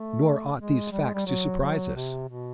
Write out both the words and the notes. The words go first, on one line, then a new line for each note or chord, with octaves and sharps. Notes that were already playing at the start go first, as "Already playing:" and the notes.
Nor ought these facts to surprise us.
Already playing: A3
G#3
G3
G#3
G3
F#3
F#3
C3
B2